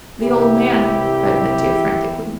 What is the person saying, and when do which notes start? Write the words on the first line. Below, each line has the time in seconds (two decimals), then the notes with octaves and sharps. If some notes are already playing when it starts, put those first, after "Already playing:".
"The old man!" cried Mitya frantically.
0.21 C2 C3 E3 E4 G4
1.69 E2 E3